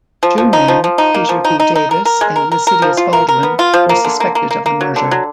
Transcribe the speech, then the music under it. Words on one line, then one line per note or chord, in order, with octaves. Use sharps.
Two men, Peter B. Davis and Lycidias Baldwin, were suspected of the murder.
F3
F3
D#4
F3
F3
D#4
A#3
F3
D#4
D#4
D#4
A#4
A#4
G#3
A#4
A#4
A#4
F3
F4
A#4
A#4
B3
F4
F3
A#3
D3
A#3
A#3
A#3
A#3
F#3
D3
F#3